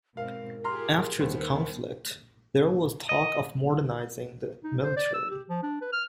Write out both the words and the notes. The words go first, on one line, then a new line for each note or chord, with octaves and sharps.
After the conflict, there was talk of modernising the military.
G#2 B2 C4 A#4 F5
F4 G4 G#4 A#5 C6 F6
D#2 G3 B3 C5
D#5
D#4
C5
D5
E6
G4
F3
D4
B4
F6